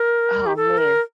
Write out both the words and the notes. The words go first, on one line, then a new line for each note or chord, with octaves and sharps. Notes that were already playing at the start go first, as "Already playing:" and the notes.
Oh, man.
Already playing: A#4
G4
A4
A#4